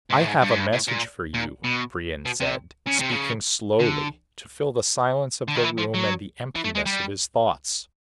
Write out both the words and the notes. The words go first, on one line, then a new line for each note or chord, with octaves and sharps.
"I have a message for you," Brion said, speaking slowly to fill the silence of the room and the emptiness of his thoughts.
G#2
A2
G#2
G2
G#2
G2
A2
A#2
A#2
B2
B2
C3
C#3
C3
C#3
D3
D3
D#3
E3
F3
F#3
E3
A3
G#3
G3